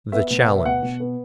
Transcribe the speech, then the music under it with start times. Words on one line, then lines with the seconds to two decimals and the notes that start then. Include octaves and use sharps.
The Challenge.
0.12 B3 E5
0.30 B2
0.40 F#5
0.48 B3
0.56 E5
0.66 B2 F#5
0.83 B2
1.00 B3